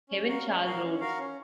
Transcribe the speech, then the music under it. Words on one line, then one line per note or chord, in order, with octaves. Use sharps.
Kevin Carl Rhoades.
C#4
F#4 A#4 F5
C#4
F#4 A#4 F5
C#4
F#4 A#4 F5
C#4